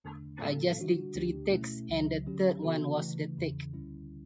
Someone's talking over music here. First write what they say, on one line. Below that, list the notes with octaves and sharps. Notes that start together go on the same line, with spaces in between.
I just did three takes and the third one was the take.
E2 D3 A3 D4
A2 G3 B3 E4 A4
D3 G3 D4 F#4
D2 D3 A3 D4 G4
B2 A3 C#4 E4
C#2 C#3 F#3
D3 F#3 C#4 G4
C#3 E3 B3 F#4 A4
C#3 E3 A3
E2 C#3 E3
D2 D3 G3 C#4 E4